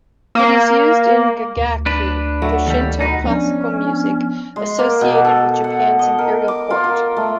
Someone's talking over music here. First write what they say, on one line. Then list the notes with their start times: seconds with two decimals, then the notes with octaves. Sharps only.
It is used in gagaku, the Shinto classical music associated with Japan's imperial court.
0.35 A#3
1.57 D2
1.86 D4 B4
2.42 F#3 A3
2.67 D#2 G3 A4
3.01 B2 D#4 B4
3.24 F3 B3 C#4 D4
4.56 G#3
4.78 A#3
5.01 B2
5.24 A4
5.64 F#5
5.99 D#5
6.19 A#4
6.48 D6
6.70 F4
6.84 A#4
7.16 A3